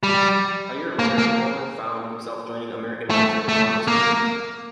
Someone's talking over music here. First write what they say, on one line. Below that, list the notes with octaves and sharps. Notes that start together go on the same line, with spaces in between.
A year later Woan found himself joining American outfit Columbus Crew.
G3
A#3
A#3
A3
A3
A#3